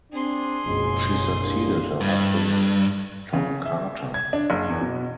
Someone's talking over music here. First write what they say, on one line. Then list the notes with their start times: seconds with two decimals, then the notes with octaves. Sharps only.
She succeeded her husband Tom Carter.
0.12 C4 D4 G#4 C6
0.65 F#1 B1 C#3 F3 G#3
1.39 C2 A#3 D4
2.01 G2
3.33 C#3
3.65 E5
4.14 G#6
4.33 D4
4.50 F#1
4.69 E2
4.81 B2